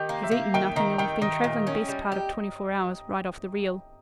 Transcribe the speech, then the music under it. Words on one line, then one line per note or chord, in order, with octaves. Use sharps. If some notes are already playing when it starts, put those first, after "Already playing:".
He's eaten nothing, and we've been travelling best part of twenty-four hours right off the reel.'
Already playing: D#3 G4
A#3
E5
A#3
D#3 G5
D#3 A#5
D#3 G5
D#3 D#5
A#2
C#4
G3
G4